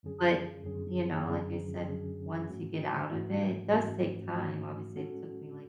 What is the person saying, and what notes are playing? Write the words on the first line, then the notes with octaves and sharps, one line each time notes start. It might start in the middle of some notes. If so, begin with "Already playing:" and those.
But, n y you know, like I said, once you get out of it, it does take time, obviously, it took me, like,
F#2 D3 F#3 C#4 G#4
F#2 D3 F#3 C#4 G#4
F#2 D3 F#3 C#4 G#4
F#2 D3 F#3 C#4 G#4
G#2 E3 A3 C#4 F#4
G#2 E3 A3 C#4 F#4
G#2 E3 A3 C#4 F#4
G#2 E3 A3 C#4 F#4
A2 G#3 C#4 F#4 A4